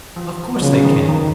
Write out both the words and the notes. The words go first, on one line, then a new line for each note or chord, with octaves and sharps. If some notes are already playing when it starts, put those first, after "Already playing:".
Of course they can.
F3
F#3
C#3 F3
F#3
D#3
C#3
D#3